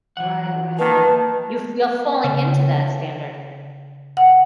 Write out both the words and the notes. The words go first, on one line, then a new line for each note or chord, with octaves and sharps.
Right, right, right. You're you're falling into that standard.
E3 F#5
D#3 A#3 F4 B4 A5
C#3
F#5